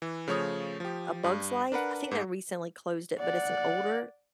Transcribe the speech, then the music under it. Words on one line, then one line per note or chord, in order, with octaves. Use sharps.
A Bug's Life? I think they recently closed it, but it's an older
E3
C#3 F3 A3 C#5 C#6 D#6
F3 G4
G2
D4 A#4 B4 F#5
G#2
D5 F#5